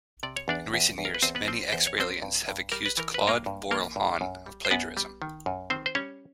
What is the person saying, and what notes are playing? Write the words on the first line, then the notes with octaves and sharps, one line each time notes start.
In recent years, many ex-Raelians have accused Claude Vorilhon of plagiarism.
C3 D5
C#5
E2 D4 D5
E2
E2
A#4
B4
E2 C4 C5
B3 B4
F3 C4 C5
E2 C5
C#5
F3 C4 C5
G2
G2
G3 A#4
B4
E3 A#4
B4
G2
A#3 A#4
G2
E3 A#3 A#4
G2
F#2
G3
C5
F#2 B3 B4
G3
D#3
F#2
D#3 C4 C5
C5
G3 C#4 C#5